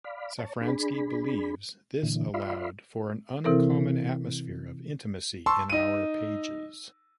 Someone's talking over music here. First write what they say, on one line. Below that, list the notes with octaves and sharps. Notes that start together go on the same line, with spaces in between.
Safransky believes this allowed for an uncommon atmosphere of intimacy in our pages.
D5 F5 B5
C#5 A5
D4 G#4 B5
A#2 D3 E3
F4 D5 E5 F5 B5 C6
C3 E3 C4 E4 A4 A#4
A5 C6 C#6 E6
D#4 D#7